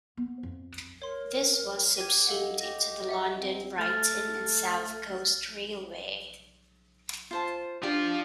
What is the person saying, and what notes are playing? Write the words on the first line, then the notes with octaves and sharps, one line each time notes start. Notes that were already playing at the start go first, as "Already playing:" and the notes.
This was subsumed into the London, Brighton and South Coast Railway.
B3
F2
A#4 C#5 C6
G4 G#6 D#7
A4 D#5 F5 F#5
G4 A#6
D5 E5 F#5
C4
A3 F6 A6
F4 C5 A5
F3 D4 F4 G4